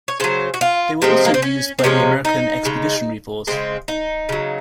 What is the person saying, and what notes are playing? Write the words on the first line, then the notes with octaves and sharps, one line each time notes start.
They were also used by the American Expeditionary Force.
C#5
C#3 F#3 C5
F#4
F4
C3 F3 G#3 C4
A#3
C4
C#4
C4
C3 F3 G#3 C#4
D#4
C#3 G#3
C#3 G#3 C4
D#4
C#3 F#3